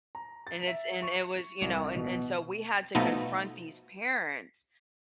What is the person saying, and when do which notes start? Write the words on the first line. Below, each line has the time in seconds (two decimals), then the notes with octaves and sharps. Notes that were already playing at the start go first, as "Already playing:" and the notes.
and it's and it was, you know, and and so we had to confront these parents
0.15 A#5
0.47 A6
0.67 E5
1.02 C#6
1.61 C2
1.95 B2
2.95 B2 F3 A3 B3 D#4